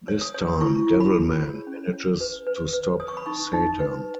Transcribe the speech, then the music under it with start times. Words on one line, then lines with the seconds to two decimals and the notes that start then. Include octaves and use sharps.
This time Devilman manages to stop Satan.
0.08 C#5
0.21 D#6
0.34 C#5
0.61 E4 C#6
0.87 E4
1.00 B5
1.14 G#4
1.41 C#5
1.67 C#4
1.93 C#5
2.20 B4
2.47 B4
2.73 B4
3.00 C#5 D#6
3.08 C#6
3.17 B5
3.26 D#4 C#6
3.53 D#4
3.80 B4